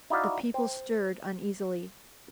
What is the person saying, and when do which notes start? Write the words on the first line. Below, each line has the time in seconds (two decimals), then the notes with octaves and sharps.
The people stirred uneasily.
0.10 D#4 E4 F#4 D5 E5 F5
0.54 C5 G5